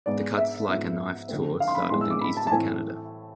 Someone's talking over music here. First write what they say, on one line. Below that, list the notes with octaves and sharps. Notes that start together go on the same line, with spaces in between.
The Cuts Like a Knife tour started in eastern Canada.
G#2 G#3 B3 D5
E5
G#2 F3 B3 E5
F2 D3 A3 C4
F5
C6
B5
A2 G#3 B3 C6
E6
D6
B5
A5
A5
A2 E3 A3 C4 G#5